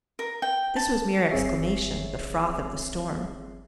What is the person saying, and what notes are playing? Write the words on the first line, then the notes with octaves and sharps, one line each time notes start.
This was mere exclamation--the froth of the storm.
A#4
G5
A5
G1 C4 G#4 C#5 E5 C7